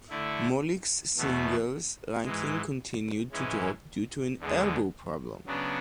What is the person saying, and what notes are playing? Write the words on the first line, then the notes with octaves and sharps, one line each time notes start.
Molik's singles ranking continued to drop due to an elbow problem.
D3 A3 E4
E2 B2 A3
G#2 E3 G#3
G#2 E3 G#3 C#4
E2 D3 G#3
C#3 F#3 B3 D4